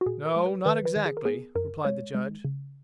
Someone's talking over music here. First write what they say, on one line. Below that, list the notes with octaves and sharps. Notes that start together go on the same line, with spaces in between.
"No--not exactly," replied the Judge.
F#4
A#2 G#4
A#4
G#3
B4
D#3 B4
B4
D#3
G#4
A#4
B3 G#4
F#2 A#4
G#3 C#5
G#3
C#3